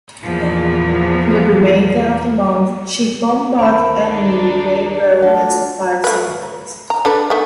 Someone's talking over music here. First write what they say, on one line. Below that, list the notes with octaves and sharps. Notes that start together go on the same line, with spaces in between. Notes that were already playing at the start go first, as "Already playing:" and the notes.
For the remainder of the month, she bombarded enemy railroad and supply centers.
E2 A#2 F3
D2 D#3 C5 B5
D4 D#4
A3 D4 F4 A4 F#5
A3 B4
A#5
D4 A4 B4
D#3 A3 B3